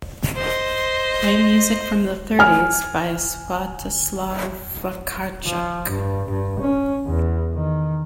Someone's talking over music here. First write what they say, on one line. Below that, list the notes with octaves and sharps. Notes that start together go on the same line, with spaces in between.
Play music from the thirties by Swjatoslaw Wakartschuk.
C5 D#5
G#5 F6
F3
G2
G2
C#4
E2
D#3